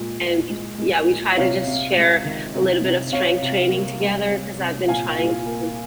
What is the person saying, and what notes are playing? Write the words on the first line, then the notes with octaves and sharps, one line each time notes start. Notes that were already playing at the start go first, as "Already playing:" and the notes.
and, w yeah, we try to just share a little bit of strength training together 'cause I've been trying to
Already playing: A#2 G#3
A#2
G#3
G#3
A#2
C3 C#5 F5
C3
G#3
D#3
C3
C3
C3 C#5 F5
C3
A#3
G3
C3
C3
A#2 F5 G#5
A#2
A#3